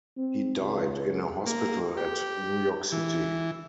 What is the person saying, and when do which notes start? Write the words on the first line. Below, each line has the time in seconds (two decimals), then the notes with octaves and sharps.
He died in a hospital at New York City.
0.17 C4
0.60 C#2
1.46 A#3
1.97 G4
2.92 E3